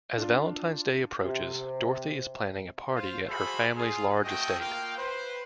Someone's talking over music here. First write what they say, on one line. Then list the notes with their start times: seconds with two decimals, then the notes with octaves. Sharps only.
As Valentine's Day approaches, Dorothy is planning a party at her family's large estate.
0.18 D4 F4
1.25 C3
2.94 F4 C5
3.27 F#4 G#4 A4 C5 E5 B5
3.76 F4 G#4
4.24 A3 C4 F#4 D#5 G5
4.59 A#3 F4 F5 G5
4.97 B4 C5